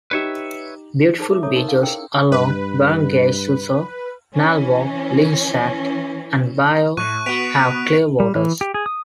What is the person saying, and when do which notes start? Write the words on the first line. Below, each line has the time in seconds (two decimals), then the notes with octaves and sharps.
Beautiful beaches along Barangay Suso, Nalvo, Lingsat, and Bia-o have clear waters.
0.11 D#4 G4 B4 C#5 E5
1.18 D#4 F#4 G#4 A#4 C5 A5
1.30 E5 D6
1.43 A4 C#5 E5 A#5 D6 D#6
1.56 D#4 F#4 A#4 C#6
1.69 F5
1.82 C#4 E4 G#4 A#4 G5 E6
2.32 G2 B4
4.34 E3 C#4
6.97 A2 C#6 F#6 D#7
7.26 B3 F#4 B6 D7 F7
8.20 G3
8.35 E3
8.61 G4
8.74 G#4
8.86 D#6